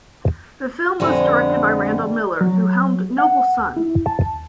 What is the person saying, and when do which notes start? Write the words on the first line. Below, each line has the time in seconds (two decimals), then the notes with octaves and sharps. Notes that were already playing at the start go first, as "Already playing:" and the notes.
The film was directed by Randall Miller, who helmed "Nobel Son".
1.00 F2 D3 G3 A3 D#5 G#5
2.41 F#3
3.18 F#5
3.58 D2
3.77 E4
4.06 A5
4.27 D#2